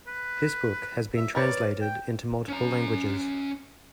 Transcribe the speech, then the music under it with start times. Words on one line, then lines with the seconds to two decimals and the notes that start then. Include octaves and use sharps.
This book has been translated into multiple languages.
0.07 B4
1.16 E5
1.35 A#4 B4 C#5 D5
1.81 G5
2.49 C#4 A#5